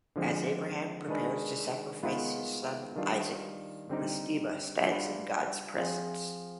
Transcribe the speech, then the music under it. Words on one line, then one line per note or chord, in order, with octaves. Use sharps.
As Abraham prepares to sacrifice his son Isaac, Mastema stands in God's presence.
D3 F3 G#3 C4
D#3 G#3 D4 G#4 B4
D#3 G#3 B3 F4 B4
D#3 G3 D4 F4
D3 G3 C4 D#4 G4
G3 D4 F4 B4
F3 C4 F4 G#4